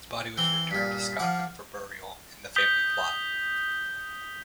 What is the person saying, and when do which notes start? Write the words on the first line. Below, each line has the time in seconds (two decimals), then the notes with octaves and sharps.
His body was returned to Scotland for burial in the family plot.
0.38 E3 C4 G7
0.71 G2 A#2 B6
1.19 F3 F5 F#5 D6
2.56 D#6 G6 B6 F7 G7